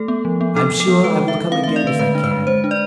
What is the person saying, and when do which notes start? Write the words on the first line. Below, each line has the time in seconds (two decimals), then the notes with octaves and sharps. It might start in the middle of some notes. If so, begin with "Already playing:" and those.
"I'm sure I will come again if I can."
Already playing: A3 A4
0.08 B3
0.25 F3
0.41 B3
0.56 D4 A4
0.72 F3
0.80 A4
0.88 B3
1.04 G#3 B4
1.20 E3
1.28 E5
1.36 E3
1.52 C4 F5
1.64 A3 E5
1.76 D5
1.84 D3 B4
1.99 G#3 B4
2.15 D4
2.24 B4
2.31 G#3
2.47 G#3 C5
2.64 D4
2.71 D5